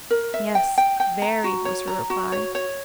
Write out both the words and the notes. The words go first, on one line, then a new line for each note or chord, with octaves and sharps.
'Yes, very,' was her reply.
A#4
E5
G5
G5
G5
A#5
F#4
C#5
A#5
F#4
C#5
C#5